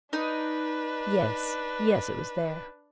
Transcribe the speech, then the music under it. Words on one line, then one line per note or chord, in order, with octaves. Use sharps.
'Yes--yes--it was there.'
D4 D#4 B4